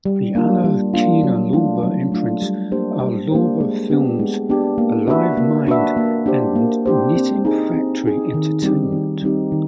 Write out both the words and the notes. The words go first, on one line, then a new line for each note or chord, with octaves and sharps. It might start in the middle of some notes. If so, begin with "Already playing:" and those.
The other Kino Lorber imprints are Lorber Films, Alive Mind, and Knitting Factory Entertainment.
G3
A#3 D4 F4
G3
A#3 D4 F4
F#3
A3 D4 F4
F#3
A3 D4 F4
G3
A#3 D4 G4 C5
G3
A#3 D4 G4 C5
G#3
B3 D4 G4
G#3
B3 D4 G4
A#3
D4 F#4 B4 E5
A#3
D4 F#4 B4 E5
A#3
D4 G4 C5
A#3
D4 G4 C5
C4
D#4 G#4
C4
D#4 G#4
D#3
G3 C4 D#4 G4
D#3
G3 C4 D#4 G4
D#3